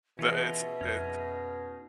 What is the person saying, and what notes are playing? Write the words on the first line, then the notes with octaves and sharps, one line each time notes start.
the it's it
B2 E3 C#4 F4 G#4 D#5 E5
F2 C#4 D#4 G#4 F6 A#6